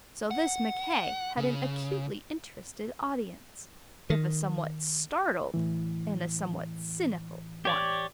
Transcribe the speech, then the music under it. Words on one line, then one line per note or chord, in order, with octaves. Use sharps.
So this Mackay had an acutely interested audience, if a somewhat startled, and a somewhat cynical, one.
F#5
C#3
D#3
A2 E3
G4 C#5 D5